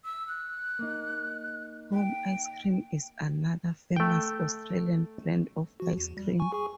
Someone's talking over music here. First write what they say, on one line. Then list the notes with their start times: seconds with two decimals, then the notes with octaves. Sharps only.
Home Ice Cream is another famous Australian brand of ice cream.
0.04 E6
0.28 F#6
0.79 A#3 D#4
1.93 G5
3.96 A3 G5
5.80 F3 F#4
5.97 E2
6.17 G3
6.40 G#5 C#6
6.52 G#4 G#5 C#6